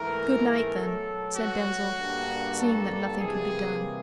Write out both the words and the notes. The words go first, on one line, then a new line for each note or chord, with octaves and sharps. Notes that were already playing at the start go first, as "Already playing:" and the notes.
"Good-night, then," said Denzil, seeing that nothing could be done.
Already playing: G#2 E3 A3 A#4
B2 F#3 A3 A4
F#4
G2 D3 G3 A#3
A4
C3 E3 G3 A#3 G#4